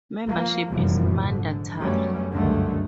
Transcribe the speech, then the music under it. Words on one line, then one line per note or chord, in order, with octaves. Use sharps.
Membership is mandatory.
F3 A#3
F1 F#2 A#2 E3 F3 G3
G#2 D3
F#2 F#3 G3 A3 B3 C#4
C#2 G2 D3 D#3 F#3 A3